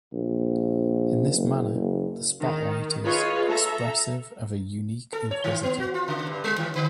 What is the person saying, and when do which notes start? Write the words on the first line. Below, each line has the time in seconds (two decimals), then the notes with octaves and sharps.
In this manner the spotlight is "expressive of a unique inquisitor".
0.13 A#1
1.32 F#1
1.75 F#1
2.41 D#3
3.05 F4 G#4 B4 C#5 D#5
3.46 A4 E5 A#5
5.13 A4
5.31 C#5
5.44 D#3
5.63 B3
5.80 F#4
5.94 F4
6.08 C#3
6.27 G2
6.44 G3
6.58 D#3
6.76 D3